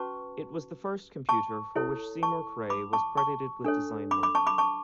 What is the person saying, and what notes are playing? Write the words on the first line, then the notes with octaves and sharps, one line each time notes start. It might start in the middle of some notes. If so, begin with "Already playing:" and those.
It was the first computer for which Seymour Cray was credited with design work.
Already playing: C#4 F#4 B4 A5 C#6
A5 C#6
E4 A4 C#5
A5 C#6
B5 D6
A5 C#6
A5 C#6
D4 A4 C#5
B5 D6
B5 D6
A5 C#6
B5 D6
A5 C#6